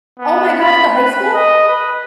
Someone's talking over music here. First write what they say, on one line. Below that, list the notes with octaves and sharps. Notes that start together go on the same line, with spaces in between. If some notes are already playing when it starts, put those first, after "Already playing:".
Oh my god, at the high school?
B3
B5
B4
D#5
B4